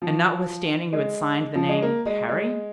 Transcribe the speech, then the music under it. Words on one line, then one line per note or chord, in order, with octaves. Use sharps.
"And notwithstanding you had signed the name Parry?"
F3
G#3
F3
G#3
A#3
G#3
G#3